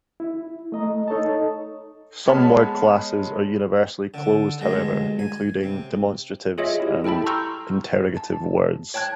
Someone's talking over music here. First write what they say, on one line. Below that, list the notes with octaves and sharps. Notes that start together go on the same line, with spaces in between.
Some word classes are universally closed, however, including demonstratives and interrogative words.
E4
A3 D#5 A#5
D#4 A4 C#5 D#5 A5
G#3 B3 C#5 A5 B5 F6
D3
D2 G2 G#3
G#5
C3
F4 G#4 C#5 D#5 E5
E4 G4
E4 A4 G5 A5 B5
A#5 C6 C#6 E6 F6 G6
A5
C#5 G5 A5 F#6 G#6